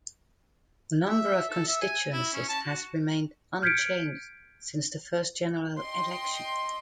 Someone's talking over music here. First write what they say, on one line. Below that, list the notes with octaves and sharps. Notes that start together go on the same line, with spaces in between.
The number of constituencies has remained unchanged since the first general election.
E5
A4
E5
G#5
E4
C#4
A5
F#4
F6 G6 G#6 B6 C#7 D7
D#5 G5 C6